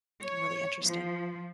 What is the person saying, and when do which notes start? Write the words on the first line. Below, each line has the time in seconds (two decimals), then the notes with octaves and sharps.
really interesting.
0.24 C#5
0.86 F3